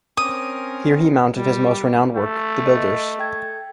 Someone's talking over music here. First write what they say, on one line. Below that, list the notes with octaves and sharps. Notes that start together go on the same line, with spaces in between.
Here he mounted his most renowned work, The Builders.
C4 C#4 A#4 D#6
G3
A3
D#5
A4 G5 G#6